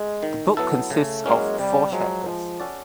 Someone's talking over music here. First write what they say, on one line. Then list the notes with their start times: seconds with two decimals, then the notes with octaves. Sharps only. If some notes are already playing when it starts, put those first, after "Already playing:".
The book consists of four chapters.
Already playing: G#3
0.23 D#3
0.57 F#3 B3 E4 A4
0.90 C#3 A3
1.25 F#3 G#3 A#3 C#4 E4
1.59 C3 G3
1.92 F3 F#3 G#3
2.26 F3 G#3
2.60 C#4 F#4 A4 D5